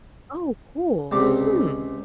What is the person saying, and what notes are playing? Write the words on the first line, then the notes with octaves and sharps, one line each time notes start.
Oh, cool. Hmm.
C#2 C3 D5